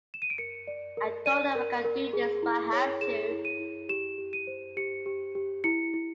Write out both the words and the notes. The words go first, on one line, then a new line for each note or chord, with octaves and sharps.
I don't know if I can do this, but I have to.
E7
D#7
D7
A#4 C#7
D5
A#4
D5 D#7
A#4
A#4
G#4
E4
C#5
G#4 E7
E4
D#7
E4
G4 E7
G4
D#7
C5
G4 C#7
G4
G4
E4 C#7
E4